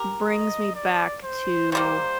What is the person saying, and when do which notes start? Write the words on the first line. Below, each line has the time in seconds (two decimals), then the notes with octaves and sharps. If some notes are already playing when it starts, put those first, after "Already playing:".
brings me back to
Already playing: G4 A#4
0.27 D#5
0.75 D5
1.24 C5
1.72 D#3 G3 A#3 C5